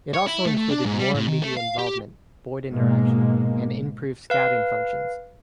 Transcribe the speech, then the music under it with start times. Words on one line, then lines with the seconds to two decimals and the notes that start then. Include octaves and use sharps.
It also included more media involvement, board interaction and improved scouting functions.
0.14 C#5
0.27 E4
0.46 A3
0.57 A3
0.69 D4
0.85 G#2
0.98 G3
1.15 A2
1.28 D#3
1.42 A3
1.57 F5
1.79 G4
2.71 G#2 B2 G#3 A#3
4.30 B4 F5